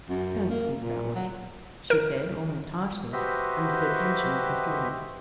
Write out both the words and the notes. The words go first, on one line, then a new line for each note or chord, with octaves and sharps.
"Don't speak that way," she said, almost harshly, under the tension of her feelings.
F#2
A#3
A#2
F#3
A#4
F#4 G4 B4 C5 D#5 E5